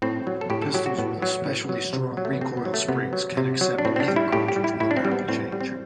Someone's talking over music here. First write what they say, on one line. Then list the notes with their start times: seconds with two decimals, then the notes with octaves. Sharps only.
Pistols with especially strong recoil springs can accept either cartridge with a barrel change.
0.02 A2 C4
0.27 F#3
0.41 A4
0.50 A2 G4
0.62 A4
0.74 F#3 G4
0.86 F#4
0.99 A2 B3
1.22 F#3
1.45 A2 B3
1.69 F#3
1.93 C3
2.17 F#3
2.25 A3
2.33 B3
2.41 C3 C4
2.57 B3
2.65 F#3
2.74 A3
2.88 C3 B3
3.13 F#3
3.37 C3
3.61 F#3
3.78 D4
3.85 A2 C4
3.96 C4
4.00 D4
4.08 G3
4.16 E4
4.32 A2 G4
4.48 G4
4.56 G3
4.64 E4
4.80 A2 E4
4.91 D4
4.97 C4
5.05 G3
5.12 B3
5.29 A2 C4
5.52 G3
5.61 C4